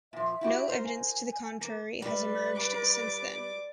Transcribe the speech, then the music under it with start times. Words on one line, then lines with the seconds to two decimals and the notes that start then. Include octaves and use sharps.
No evidence to the contrary has emerged since then.
0.13 A#2 F3 E5
0.41 E4 F#4 G4
0.69 A#4 C5
0.84 G#5
1.61 A#3
2.02 G3 B4 D5
2.55 D6